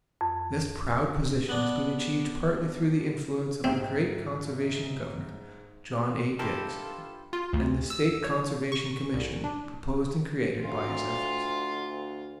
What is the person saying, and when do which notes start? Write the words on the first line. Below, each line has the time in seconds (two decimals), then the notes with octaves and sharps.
This proud position has been achieved partly through the influence of a great conservation Governor, John A. Dix, and the State Conservation Commission proposed and created by his efforts.
0.21 F2
1.49 B3 D4
3.64 G#2 C4 E5
6.39 G2 D#3 E4 F4 G4 A4 A#4 C5
7.33 F4
7.53 D2
7.90 E6
8.24 C#5
8.72 C#6
9.14 C2
9.44 D4
10.62 D2 F4 F5